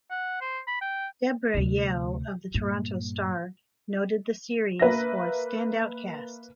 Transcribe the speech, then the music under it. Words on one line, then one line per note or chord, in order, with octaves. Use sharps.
Debra Yeo of the "Toronto Star" noted the series for its standout cast.
F#5
C5
B5
G5
D2 C3
G2 A#2
A#3 B4 E5 A#6